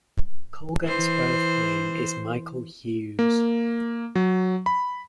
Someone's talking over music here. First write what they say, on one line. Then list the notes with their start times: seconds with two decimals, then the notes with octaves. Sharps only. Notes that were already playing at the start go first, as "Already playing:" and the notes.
Colgan's birthname is Michael Hughes.
0.84 E3 C5
3.19 A#3
4.15 F#3
4.66 B5